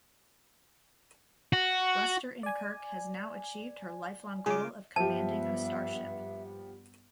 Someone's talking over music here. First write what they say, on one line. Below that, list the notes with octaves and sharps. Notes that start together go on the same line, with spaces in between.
Lester-in-Kirk has now achieved her lifelong goal of commanding a starship.
F#4
D5 G#5
C#3 G#3 F4 G#4 D6
G2 F3 B3 G4 E5 A5